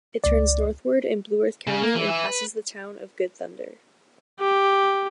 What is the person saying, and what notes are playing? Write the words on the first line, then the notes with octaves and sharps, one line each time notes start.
It turns northward in Blue Earth County and passes the town of Good Thunder.
C#2 D5
C#3
A#3
E3
E3
B4
G4